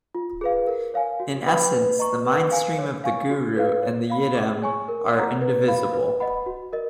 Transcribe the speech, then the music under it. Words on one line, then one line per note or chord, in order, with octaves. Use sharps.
In essence, the mindstream of the guru and the yidam are indivisible.
F4
G#4 B4 F5
A#4
C#5 F5 G#5
F#4
B4 F#5 B5
B4
D#5 A#5 C#6
B4
F5 G#5
C#5
F5 G#5 C#6
F#4
B4 F5
C#5
F5 B5
G#4
C#5 G#5 C#6
A#4
C#5 F#5 A#5
B4
F5 B5
B4
D#5 F#5 B5
F#4
A#4 D#5